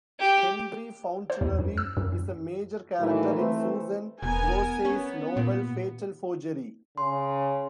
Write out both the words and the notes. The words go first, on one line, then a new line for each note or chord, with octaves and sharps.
Henry Fauntleroy is a major character in Susan Grossey's novel "Fatal Forgery".
G4
C5
E2
F#2
E6
F#2
A2 D#3 E3 F#3 A#3
E3 A3 C4 B4 C5
E1 B3 A#4 G#5
B3 C#4
A#2
C#3 C6